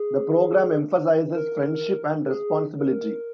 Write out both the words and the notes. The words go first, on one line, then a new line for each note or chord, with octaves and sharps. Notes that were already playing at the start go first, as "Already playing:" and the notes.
The programme emphasizes friendship and responsibility.
Already playing: G#4
A#4
A#4
G#4
A#4